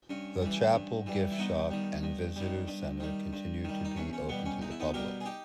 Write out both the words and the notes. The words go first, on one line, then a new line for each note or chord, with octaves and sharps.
The Chapel, Gift Shop, and Visitors Center continue to be open to the public.
G2 C#4
E3 G3
G2
E3 G3
E4
G2 B3 D#4
D#3 G3
G2
D#3 G3
G2
D#3 G3
G2
D#3 G3
D#4
E2 C#4
C#4
B2 G3 B3
C#4
E2 D#4
E4
B3 D#4
B2 G3 G4 A#4
G#4
D#4 G4